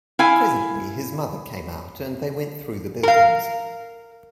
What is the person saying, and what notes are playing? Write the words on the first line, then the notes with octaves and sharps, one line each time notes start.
Presently his mother came out, and they went through the buildings.
E4 F5 G#5
A#4 F5